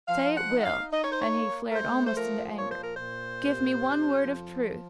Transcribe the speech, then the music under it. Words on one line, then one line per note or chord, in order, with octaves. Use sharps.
Say it will"--and he flared almost into anger: "give me one word of truth!
F3 F5
F#5
D#4
F#5
F5
D#4 D#5
C#5
C5
C#5
A#3
A#4
A3 C5
C5
F3 A#4
A#2 C#5
C5
A#4
A#2 C5
C3
F2
F3